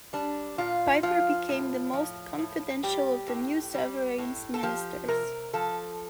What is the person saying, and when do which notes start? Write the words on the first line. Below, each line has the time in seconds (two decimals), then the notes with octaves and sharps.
Piper became the most confidential of the new sovereign's ministers.
0.13 G3 D4
0.58 A#2 F4
1.03 F3 F4
1.49 A2
1.93 F3
2.38 A2
2.83 G3 G4
3.28 A2
3.74 G3
4.18 A2
4.54 A4
4.63 F3 G4
5.08 C3 A#4
5.54 F3 A4